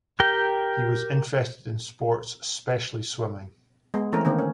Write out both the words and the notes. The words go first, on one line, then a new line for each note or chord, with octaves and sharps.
He was interested in sports, especially swimming.
G4 A#4 G5
G#3 B3
E3 A3 C4 C#4 A#4
D3 D#3 A#3 C4
C#4